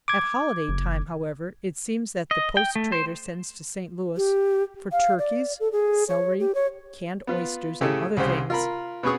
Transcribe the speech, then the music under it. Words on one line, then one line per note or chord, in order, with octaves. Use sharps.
At holiday time, however, it seems that the post trader sends to St. Louis for turkeys, celery, canned oysters, and other things.
D6 G#6
F#1
D#5
G5
A3
C5
G4
F5
D5
A4
G#4
C#5
G4
C#5
B3 F4 B4
A2 C#3 C#4 G4 A4
C2 C#3 G4 C5
F4 A#4 B5
B2 B3 C#4 G#4 C#6 D#6